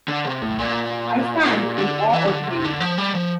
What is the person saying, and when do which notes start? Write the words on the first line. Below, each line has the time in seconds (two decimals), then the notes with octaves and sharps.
I stand in awe of him.
0.08 D3
0.25 C3
0.42 A2
0.59 A#2
1.37 A2
1.45 A#2
1.78 D3
2.13 E3
2.25 C3
2.30 D3
2.47 C3
2.64 D3
2.80 F3
2.98 G3
3.15 F3